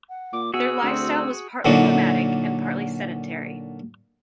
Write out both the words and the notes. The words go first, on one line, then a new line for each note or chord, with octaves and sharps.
Their lifestyle was partly nomadic and partly sedentary.
F#5
A#2 D6
B2 F#4 G#4 F#5 E6
D2 C4
A#2 D3 F#3 A#3 D#4